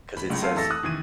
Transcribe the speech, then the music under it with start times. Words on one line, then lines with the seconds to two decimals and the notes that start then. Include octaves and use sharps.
'cause it says,
0.17 B5
0.30 G1 C#2
0.42 A3 C4 A4 F5
0.55 E3 A3 A4 E6 A6 A#6
0.70 D#6 F#6
0.83 D#3 E3 G#6 D#7